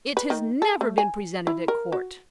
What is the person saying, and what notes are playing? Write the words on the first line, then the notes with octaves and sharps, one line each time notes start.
"It has never been presented at court."
B4
D#3
A4
A3
G#5
E4
A#4
F#4